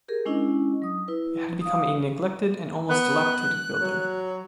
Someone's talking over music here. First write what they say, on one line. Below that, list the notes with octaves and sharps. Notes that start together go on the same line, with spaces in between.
It had become a neglected and almost dilapidated building.
G4 G#4 A#4
G#3 C#4 D4 E4 D#5
F#3 D#6
E4 B4
F5 D#6
B3 F#6
F#3